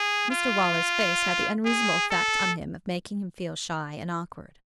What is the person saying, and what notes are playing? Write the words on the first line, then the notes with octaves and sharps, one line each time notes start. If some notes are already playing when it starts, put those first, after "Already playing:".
Mr Waller's face had the unreasonable effect on him of making him feel shy and awkward.
Already playing: G#4
F4
G#4
A4